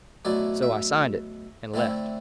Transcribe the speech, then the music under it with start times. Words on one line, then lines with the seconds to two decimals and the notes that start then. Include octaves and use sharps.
So I signed it, and left.
0.25 B2 F#3 A3 E4 D5
0.63 E5
1.74 D3 A3 C4 E4